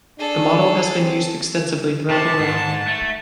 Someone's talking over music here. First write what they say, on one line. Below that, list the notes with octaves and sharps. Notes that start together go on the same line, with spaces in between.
The model has been used extensively throughout the world.
D4 G#4 A4
C4
C3 A5
G#2
A3